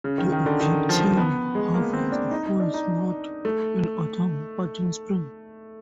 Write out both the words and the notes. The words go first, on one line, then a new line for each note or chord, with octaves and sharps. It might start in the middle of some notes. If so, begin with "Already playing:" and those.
The Egyptian harvest falls not in autumn but in spring.
C#3
D#3
D#3
D3
D#3
F3
B3
G#3
A#3
C4
D4
D#4
D#4
D4
D#4
A3